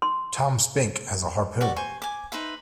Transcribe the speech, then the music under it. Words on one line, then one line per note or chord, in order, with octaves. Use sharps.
Tom Spink has a harpoon.
C6
F#4 G4 D5 C#6
C5 G#5 C#6
G#5 D6
D#4 B4 C5 E5